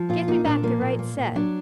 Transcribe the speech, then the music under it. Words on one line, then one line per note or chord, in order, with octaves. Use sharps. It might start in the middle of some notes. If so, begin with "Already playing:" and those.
'Give me back the right set.
Already playing: F3
A#2 F4
A#3 D#4
A#2 D4
F3 A#3
A#2
A#3
A#2
F#3 D4